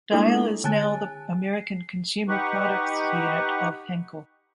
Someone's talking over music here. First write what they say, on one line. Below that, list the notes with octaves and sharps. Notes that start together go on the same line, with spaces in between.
Dial is now the American consumer products unit of Henkel.
G#3 A#3 D4 E4 F4 A4
D3 G#5 A5 F#6 A6
C7
D#4 G4 B4 F#5 C#6